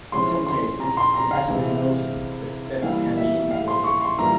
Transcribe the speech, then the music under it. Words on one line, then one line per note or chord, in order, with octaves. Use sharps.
In some cases, it has been noted that steps can be integrated.
F3 G#3 C#4 E4 C6
C6
A#5
C6
A#5
F5
C3 E3 G#3 E4
E3 G3 A#3 E4 F5
E5
F5
C6
C#6
C6
E3 G3 A#3 F4 A#5